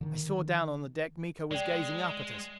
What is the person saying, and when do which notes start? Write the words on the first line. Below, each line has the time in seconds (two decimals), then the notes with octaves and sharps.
I saw down on the deck. Miko was gazing up at us.
0.01 D3 D#3
1.51 G#3 D5 G5